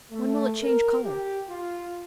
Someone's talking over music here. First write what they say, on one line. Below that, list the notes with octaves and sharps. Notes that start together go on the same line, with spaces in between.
"When will it change colour?"
A3
A#4
G4
F4